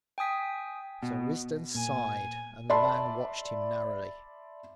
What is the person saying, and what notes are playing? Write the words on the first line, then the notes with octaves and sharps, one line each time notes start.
Sir Risdon sighed, and the man watched him narrowly.
G5 G#5 D#6 B6
B2
A#2 G#5
D5 E5 A5 B5 C6